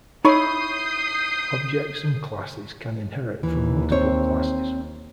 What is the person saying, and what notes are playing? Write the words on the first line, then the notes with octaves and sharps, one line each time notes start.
Objects and classes can inherit from multiple classes.
D#4 E4 C#5 B5 C#6 D#6 G6 C7
D#2 E3
C4 C5 C#5